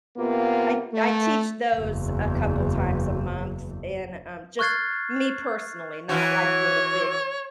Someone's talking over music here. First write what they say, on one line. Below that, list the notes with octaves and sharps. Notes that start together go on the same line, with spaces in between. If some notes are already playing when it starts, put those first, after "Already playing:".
I I teach those a couple times a month, and, um, just me personally, not, like, with a big,
C3 A#3 B3 F4
A3
F#1 E2
C#6 F6 F#6 G#6 A6 C7
E3 F#4 C#5